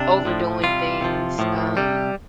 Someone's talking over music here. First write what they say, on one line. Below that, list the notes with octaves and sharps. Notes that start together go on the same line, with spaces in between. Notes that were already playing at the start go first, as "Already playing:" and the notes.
overdoing things, um,
Already playing: C3 D4
A2 F3
C3 G3 F4
C3 F3
A2 F3
C3 G3